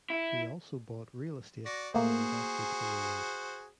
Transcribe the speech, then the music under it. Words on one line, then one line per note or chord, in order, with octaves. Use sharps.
He also bought real estate and invested in oil.
E4
F#4 D5 A#6
A3 A#3 F#4 G#4 C5